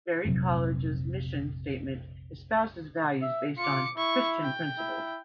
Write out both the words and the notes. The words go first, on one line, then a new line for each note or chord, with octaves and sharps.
Berry College's mission statement espouses values based on Christian principles.
F1 A#1 C3 F#3
E5
F4 D6 C#7
E4 C#6
G5
E4